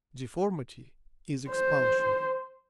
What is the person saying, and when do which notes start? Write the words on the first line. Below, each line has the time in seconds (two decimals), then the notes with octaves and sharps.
Deformity is expulsion.
1.49 C5